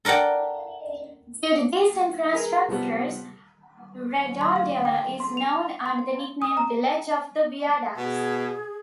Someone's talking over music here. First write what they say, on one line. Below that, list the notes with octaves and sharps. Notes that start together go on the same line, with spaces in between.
Due to these infrastructures Redondela is known under the nickname Village of the viaducts.
A4 A#4 D5 F#5 G5
G#4 A#4 B4
C3 F3 G3 B3
C6
F5
G5
C6
F7
C6
D#6
A#5
B2 G#4